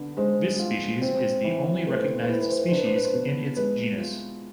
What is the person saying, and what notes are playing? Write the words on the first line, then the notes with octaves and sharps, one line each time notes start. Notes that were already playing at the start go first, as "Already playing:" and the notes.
This species is the only recognized species in its genus.
Already playing: D3 B3
G#3 C5
F4
C4
E3
A3 B4
C5
B4
C5
B4
E4 C5
B4
C5
B4
D4 C5
B4
C5
B4
C5
B2 B4
G#3 B4
F4